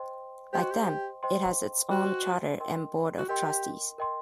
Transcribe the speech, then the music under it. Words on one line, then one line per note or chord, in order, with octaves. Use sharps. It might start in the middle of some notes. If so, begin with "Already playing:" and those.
Like them, it has its own charter and Board of Trustees.
Already playing: C5 D#5 G5 C6
G4 C5 D#5 G5 C6
F#4
G4
C5 D#5 G5 C6
F#4 C5 D#5 G5 C6
A#4 D#5 G5 C6
F#4
G4 A#4 D#5 G5 C6
A#4 D#5 G5 C6